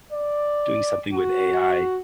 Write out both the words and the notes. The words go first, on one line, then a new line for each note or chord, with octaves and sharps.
doing something with AI,
D5
F#4